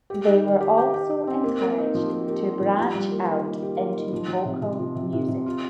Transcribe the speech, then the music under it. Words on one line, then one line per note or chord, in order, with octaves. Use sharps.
They were also encouraged to branch out into vocal music.
G4
D#4
D#3
G4
G4
G4
D#4
C4
A#3
A#3
D#4
F3
A#3
A#3
D#4
F3
G4
G3
A#3
D#3
A#3
G4
A#3
D#3
F3
F3
C3
C3
F3
C3
C3
C3
F4